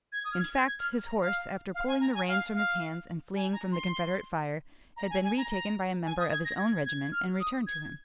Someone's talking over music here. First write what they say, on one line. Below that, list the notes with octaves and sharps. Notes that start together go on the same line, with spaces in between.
In fact his horse, after pulling the reins from his hands and fleeing from the Confederate fire, had been retaken by a member of his own regiment and returned to him.
G#6
D#6
F6
G#6
G#6
F6
A#5
F5
F5
G#5
A#5
G#5
F5
F5
G#5
A#5
C6
A#5
G#5
G#5
A#5
A#5
G#5
D#6
G#6
A#6
G#6
G#6
F6
D#6
G#6